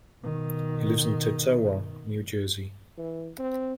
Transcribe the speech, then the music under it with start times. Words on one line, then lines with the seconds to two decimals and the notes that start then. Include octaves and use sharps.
He lives in Totowa, New Jersey.
0.23 B2 D#3
2.98 E3
3.39 C4